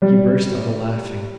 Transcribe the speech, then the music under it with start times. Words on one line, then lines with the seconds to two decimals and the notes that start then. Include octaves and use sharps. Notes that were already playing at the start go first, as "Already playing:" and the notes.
He burst out a-laughing.
0.02 G3